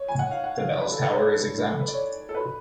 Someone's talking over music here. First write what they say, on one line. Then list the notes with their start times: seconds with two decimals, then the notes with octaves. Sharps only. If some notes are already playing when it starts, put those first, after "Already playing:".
The bells tower is exempt.
Already playing: C#5
0.08 G#5
0.19 F#5
0.31 F5
0.44 F#5
0.58 F5
0.71 D5
0.81 B4
0.92 A4
1.02 B4
1.12 C#5
1.26 A4
1.39 B4
1.58 B4
1.67 A4
1.80 B4
1.88 D5
1.93 C#5
2.29 A4
2.35 B4